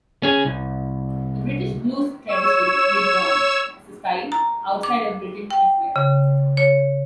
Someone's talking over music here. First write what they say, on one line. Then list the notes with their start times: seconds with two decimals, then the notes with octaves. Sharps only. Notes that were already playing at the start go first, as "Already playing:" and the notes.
The British blues tradition lives on, as a style, outside of Britain as well.
0.23 C#4 G#4
0.45 C2
2.28 C#5 E6 E7
4.32 A#5
4.83 D6
5.51 G5
5.96 C#3
6.57 C#5